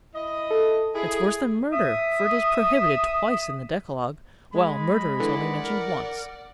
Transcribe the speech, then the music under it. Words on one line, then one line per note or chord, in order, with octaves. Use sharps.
"It's worse than murder, for it is prohibited twice in the decalogue, while murder is only mentioned once."
E4 D#5
A4
E4 G#4
E5 D#6
G#3 B5
D3 E3 D5 F#5
A#4